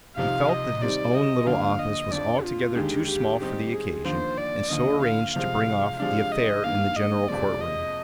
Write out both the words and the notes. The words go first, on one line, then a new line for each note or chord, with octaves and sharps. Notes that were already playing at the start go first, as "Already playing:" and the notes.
He felt that his own little office was altogether too small for the occasion and so arranged to bring off the affair in the general courtroom.
C2 C3 F3 C4 D#4 F5
D#5
C3 D#3 G3 C4 D#4 D5
D#5
D2 D3 F3 A#3 D4 F5
D#5
F2 D3 F3 D5
F4
D#2 D3 G#3 D#4 G4
G4
G#2 D#3 G3 C4 D#4 G4
G#4
D#2 D3 F3 A#3 C5
D5
D2 D3 F3 A#3 D4 D#5
F5
C2 C3 F3 G#3 C4 F5
C3 F3 G#3 D4 F5
D#5
G2 D#3 A#3 F5
D#5
F2 C3 F3 G#3 C4 D5
D#5